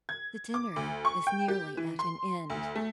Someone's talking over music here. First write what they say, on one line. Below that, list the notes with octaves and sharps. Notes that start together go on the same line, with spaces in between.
The dinner is nearly at an end.
G#6
D6
D2
C#6
G5
G4
E3
C6
D2
A3